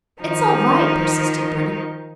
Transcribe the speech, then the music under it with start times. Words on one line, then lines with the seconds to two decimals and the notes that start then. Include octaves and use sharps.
"It's all right," persisted Bertie.
0.21 D#3 F3 D#4